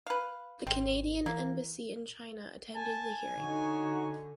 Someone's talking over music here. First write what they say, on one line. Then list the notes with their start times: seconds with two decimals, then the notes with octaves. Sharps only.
The Canadian Embassy in China attended the hearing.
0.06 B4 F5
0.67 G#1 C4
1.26 E3 A#3
2.75 G#5 A5
3.39 D3 D#4 F#4 C#5